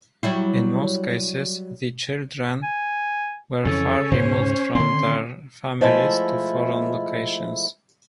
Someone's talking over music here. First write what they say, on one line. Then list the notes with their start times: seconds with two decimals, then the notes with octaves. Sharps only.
In most cases, the children were far removed from their families to foreign locations.
0.23 F#3 G3 E4
2.63 G#5
3.65 F2 C#3 E3 C#4 A4 C#5
4.11 D2 G#2 C#3 C5
4.75 D3 D#3 C4 C6
5.81 F3 G#3 A3 E4